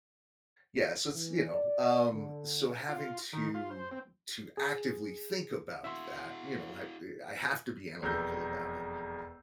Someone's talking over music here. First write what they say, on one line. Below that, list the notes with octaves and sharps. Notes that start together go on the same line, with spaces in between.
yeah, so it's, you know, um, so having to to actively think about that, you know, I've to I have to be analytical about it,
E3
D5
D3
F4
D#3
F4
C5
C4
G#4
E4 F#4 E5 C6
E1 F2 A#4 B4 E6 G6